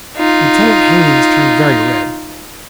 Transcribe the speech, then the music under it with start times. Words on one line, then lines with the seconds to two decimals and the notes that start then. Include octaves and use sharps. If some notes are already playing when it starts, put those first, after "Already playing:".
Lieutenant Haines turned very red.
0.17 D#4 F4